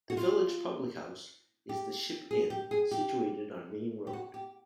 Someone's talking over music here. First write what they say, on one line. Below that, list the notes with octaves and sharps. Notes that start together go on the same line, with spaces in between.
The village public house is the Ship Inn, situated on Main Road.
F#4
F4
G4
G#4
G4
G#4
G4
G4
F#4
G4